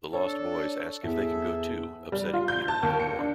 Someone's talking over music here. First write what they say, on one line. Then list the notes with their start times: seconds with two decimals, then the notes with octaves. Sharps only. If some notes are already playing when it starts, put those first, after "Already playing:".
The Lost Boys ask if they can go too, upsetting Peter even more.
0.13 D4 A4 C#5
1.03 E2 G#4 A4 E5
2.12 G3
2.33 F4
2.48 G6
2.68 A5
2.83 D#2
3.00 C#7
3.19 D4